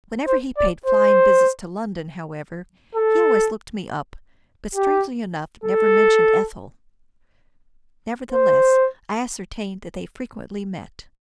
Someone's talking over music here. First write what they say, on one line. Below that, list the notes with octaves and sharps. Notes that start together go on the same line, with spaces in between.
Whenever he paid flying visits to London, however, he always looked me up, but, strangely enough, never mentioned Ethel. Nevertheless, I ascertained that they frequently met.
C5
D5
C5
A4
G4
A4
C5